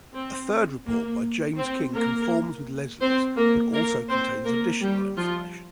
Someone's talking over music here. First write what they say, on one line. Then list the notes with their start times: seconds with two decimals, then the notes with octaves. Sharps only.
A third report, by James King conforms with Leslie's, but also contains additional information.
0.13 C4
0.86 A#3
1.58 C4
1.93 A#3 A#4
3.01 C4 C5
3.37 A#3 A#4
3.72 A#3 A#4
4.09 C4 C5
4.45 A#3 A#4
4.81 G3 G4
5.17 F3 F4